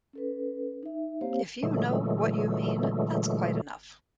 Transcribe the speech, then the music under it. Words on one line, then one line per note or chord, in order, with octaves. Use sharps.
If you know what you mean, that's quite enough.
C#4 A4 B4
D#4 E5
A#3 C4 G4 C5 C#5 F5
A#2 D3 E3 F#3 G#3 A3